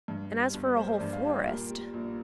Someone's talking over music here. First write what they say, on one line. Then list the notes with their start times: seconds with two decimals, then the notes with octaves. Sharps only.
And as for a whole forest--!
0.08 G2
0.30 G3
0.54 G1
0.77 A#3 C5
0.95 D5
1.01 G2
1.13 F5
1.24 G3
1.29 G4
1.46 A#2 A#4
1.70 G3
1.93 A#1